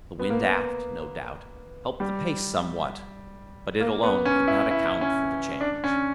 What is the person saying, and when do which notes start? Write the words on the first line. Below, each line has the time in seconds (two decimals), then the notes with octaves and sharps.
The wind aft, no doubt, helped the pace somewhat, but it alone could not account for the change.
0.19 B3
0.30 A#3
0.41 B3
2.00 G3
3.81 A#3
4.03 B3
4.25 C#4
4.48 E4
4.71 E4
5.01 C#4
5.61 D4
5.84 C#4